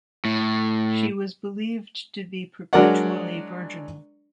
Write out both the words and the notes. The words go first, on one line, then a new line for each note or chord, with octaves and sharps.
She was believed to be perpetually virginal.
A2
F#3 G#3 D4 A#4 D5 F#5